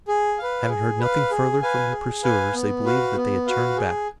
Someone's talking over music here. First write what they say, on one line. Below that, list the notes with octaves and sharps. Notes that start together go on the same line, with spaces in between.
Having heard nothing further from their pursuers they believed that they had turned back.
G#4
B4 F5
G#4
B4 F5
G#4
B4 F5 G#5
G#4
B4 F5 G#5
B3
F#4 B4 F5
B3
F#4 B4 F5
G#4